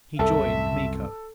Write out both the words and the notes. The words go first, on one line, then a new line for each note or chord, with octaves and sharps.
He joined Miko.
C2 F#2 A4 E5